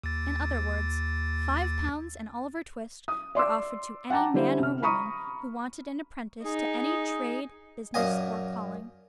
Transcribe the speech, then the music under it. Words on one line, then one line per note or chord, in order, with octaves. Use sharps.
In other words, five pounds and Oliver Twist were offered to any man or woman who wanted an apprentice to any trade, business, or calling.
D#2 A6
D#6
D5 C6 D6 E6
F#5 G5 A5 A#5 D6
D3 G3 E4 C5
C3 F6
A#5 B5 C#6 D#6 D#7
D#4 G#4
F#2 A#2 D#5 G#5